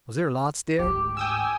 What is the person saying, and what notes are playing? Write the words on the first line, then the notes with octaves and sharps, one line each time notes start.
Was there lots there?
D2 G#2 G4
G5 G#5 D#6 E6